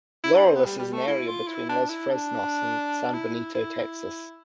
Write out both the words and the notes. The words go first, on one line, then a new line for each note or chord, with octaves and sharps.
Laureles is an area between Los Fresnos and San Benito, Texas.
E4
D4
C4
B3
G3
G3
A3
E4
F4
E4
D4
E4
D4
E4
E4
E4